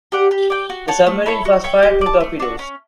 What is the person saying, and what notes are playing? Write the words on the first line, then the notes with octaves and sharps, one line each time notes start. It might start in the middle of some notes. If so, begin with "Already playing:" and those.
The submarine first fired two torpedoes.
G4 D5 F#5
G4
D5 G5
F#4
C#5 F#5 A5
A3
E4 A4 C#5
F#4
C#5 E5 G5
G4
D5 A5
A3
D4 F#4
C#4